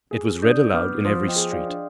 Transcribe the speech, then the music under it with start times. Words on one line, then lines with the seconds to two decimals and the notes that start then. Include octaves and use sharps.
It was read aloud in every street.
0.11 G#4
0.42 D4 D#6 G6
0.74 B3 D6 F6
1.04 F3 C6 D#6
1.28 D#5 G5
1.36 G#4
1.52 D5 F5
1.67 D4